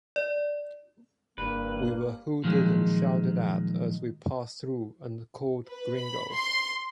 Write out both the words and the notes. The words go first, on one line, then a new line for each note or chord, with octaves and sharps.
We were hooted and shouted at as we passed through, and called gringoes.
D5
F#1 G2 A#3 B4
A#2 D#3 F3 F#3 G#3
B4
B5
C6